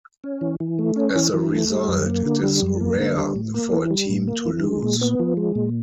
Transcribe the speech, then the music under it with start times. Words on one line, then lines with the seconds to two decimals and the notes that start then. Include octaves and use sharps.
As a result, it is rare for a team to lose.
0.24 C#4
0.41 E3
0.60 E3
0.79 A3
0.96 C#4
1.16 E3
1.34 E3
1.52 A3
1.70 G3
1.88 F#2
2.06 A#3
2.25 D3
2.43 G3
2.62 F#2
2.80 A#3
2.99 D3
3.18 G3
3.36 A2
3.54 A#3
3.72 E3
3.91 G3
4.09 A2
4.27 A#3
4.45 E3
4.64 G#3
4.83 A#2
5.01 B3
5.20 F3
5.37 G#3
5.55 A#2